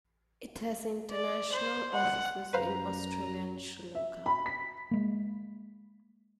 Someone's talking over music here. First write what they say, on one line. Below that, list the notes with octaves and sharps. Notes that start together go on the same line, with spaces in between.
It has international offices in Australia and Sri Lanka.
D5
C5
F#5
F#2 B4 C5 F5 A#5
E5
B5
B6
G#3 A#3